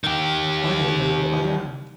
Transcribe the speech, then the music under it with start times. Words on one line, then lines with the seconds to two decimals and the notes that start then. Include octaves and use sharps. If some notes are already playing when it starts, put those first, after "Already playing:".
I don't know what I am.
0.04 D#3 G4